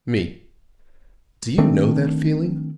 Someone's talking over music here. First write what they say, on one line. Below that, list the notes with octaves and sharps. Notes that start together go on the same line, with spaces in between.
ME: Do you know that feeling?
D#3 A3 C4 D4